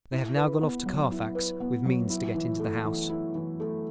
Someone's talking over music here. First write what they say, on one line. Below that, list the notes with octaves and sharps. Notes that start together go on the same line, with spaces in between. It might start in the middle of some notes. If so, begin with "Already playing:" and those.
They have now gone off to Carfax, with means to get into the house.
E4
B4
B3
F#3
E4
B4
B3
F#3
E4
E3
A3
E3
E4
E3
A3